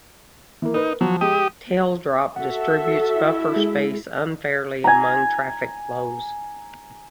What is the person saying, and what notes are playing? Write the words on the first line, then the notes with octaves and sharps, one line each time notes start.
Tail drop distributes buffer space unfairly among traffic flows.
E3 A#3
D#4 A#4 B4
F3 F#3
G#3 G4 D#6
F#4 A4 E5 F#5
E4
G#3 G#4
G#5 A#5